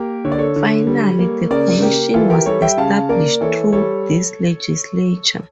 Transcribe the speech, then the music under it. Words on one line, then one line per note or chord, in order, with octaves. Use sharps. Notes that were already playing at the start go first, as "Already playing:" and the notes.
Finally, the Commission was established through this legislature.
Already playing: A#3 G4 A#4
D3 C#5
D5
A4 C#5
D3
G3
A#3
C#3 A#4 D5
A#3 G4 A#4
E3 F4 A4
G4 A#4
G3 A4 C#5
E5 G5
C#3 F5 A5
A#3 A#4 D5
E3 A4 C#5
G3 A4 C#5